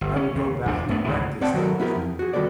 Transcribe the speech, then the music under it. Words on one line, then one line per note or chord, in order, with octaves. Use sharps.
I would go back and wreck the establishment.
G1
C#4
D#2
E2 D4
F#2 A3 B3
C#2 G#2 D#3 E3
C4 D5 F#5 G5 A5
D#3 F#3 F#4 A4 A#4
B3 E4 G4 G#4 A#4
F2
F#4 G#4
D#3 G3 B3 F#4 A4 D5